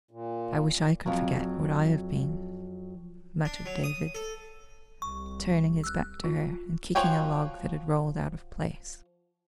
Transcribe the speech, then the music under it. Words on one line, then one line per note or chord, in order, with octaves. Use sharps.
"I wish I could forget what I have been!" muttered David, turning his back to her and kicking a log that had rolled out of place.
A#2
F2 F#3
D4
F#3
D#6
A4
C2 C#6
E6 F#6
F4
F3 F#4 C#5 G5 G#5